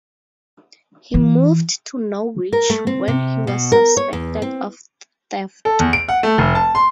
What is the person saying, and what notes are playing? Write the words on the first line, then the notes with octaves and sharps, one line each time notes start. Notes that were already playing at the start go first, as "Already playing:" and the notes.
He moved to Norwich when he was suspected of theft.
E3
A#4
A3
C4
C3
B2
A#4
C#5
E2
C4
A4
E2
D7
F#5
A3
F1
A5
C6